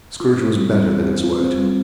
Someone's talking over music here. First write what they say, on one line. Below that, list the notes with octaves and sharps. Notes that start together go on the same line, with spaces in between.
Scrooge was better than his word.
F4
C4
G3
G3
F4
C4
F4
C4
G3